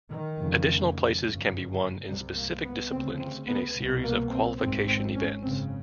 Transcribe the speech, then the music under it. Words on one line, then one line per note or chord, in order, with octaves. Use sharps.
Additional places can be won in specific disciplines in a series of qualification events.
D#3
F1 F2 C#3
G1 F#2 C#3
C2 C3 G3
A#3
B3
D2 C#3 C4
C4
B3
C2 B2
A#3
C4
G#1 G#2 C4
C4
C#4
G#1 F#2 C#3 C4